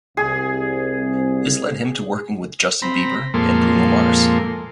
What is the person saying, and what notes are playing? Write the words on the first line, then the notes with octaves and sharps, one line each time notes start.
This led him to working with Justin Bieber and Bruno Mars.
C2 G#4
C4 A#5 B5
F2 A#2 G#3 A#3 A4 C6